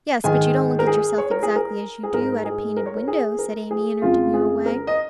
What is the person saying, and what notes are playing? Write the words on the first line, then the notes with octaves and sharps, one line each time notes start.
'Yes, but you don't look at yourself exactly as you do at a painted window,' said Amy, in her demure way.
G#2 D#3 G#3 G#5
A#4
G#4
C#5
A#4
G#4
A#4
G#4
G#2 G#3 A#4
G#4
A#4
C#5
A#4
G#4
A#4
G#4
F2 C#3 G#3 F4
G#4
A#4
D#5